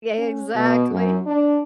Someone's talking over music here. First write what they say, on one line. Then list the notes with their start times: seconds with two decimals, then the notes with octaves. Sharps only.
Yeah, exactly,
0.18 C#4
0.55 B2
0.91 F#2
1.26 D4